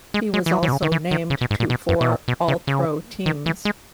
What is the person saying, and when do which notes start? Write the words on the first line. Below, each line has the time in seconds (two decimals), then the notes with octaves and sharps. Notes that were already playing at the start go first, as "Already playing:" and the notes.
He was also named to four All-Pro teams.
0.14 G#3
0.34 G#3
0.46 E3
0.53 F#3
0.63 E3
0.68 B2
0.72 C#3
0.82 D#3
0.92 E3
1.11 D#3
1.30 C#3
1.41 B2
1.51 G#2
1.60 A#2
1.70 B2
1.89 F#2
2.01 B2
2.09 A#2
2.28 B2
2.48 C#3
2.67 C#3
3.26 D#3
3.46 E3
3.65 G#3